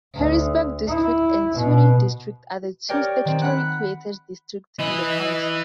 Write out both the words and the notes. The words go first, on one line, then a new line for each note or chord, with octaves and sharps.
Careysburg District and Todee District are the two statutorily created districts in the county.
D2
E4
B2
G4 A#4 C#5 D5 G5
D#3 C4
F#5 B5 F#6
E3 B4 D#5